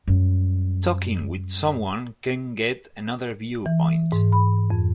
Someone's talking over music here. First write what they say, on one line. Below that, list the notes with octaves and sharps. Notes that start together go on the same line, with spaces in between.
Talking with someone can get another viewpoint.
F#2 G3
E3
G#2
B5
F2